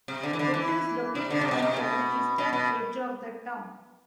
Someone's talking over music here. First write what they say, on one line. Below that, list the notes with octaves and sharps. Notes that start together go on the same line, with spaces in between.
It is located on the eastern edge of the town.
C3
D3
E3
D3
E3
C3
D3
C3
B2
C3
B2
B2
B2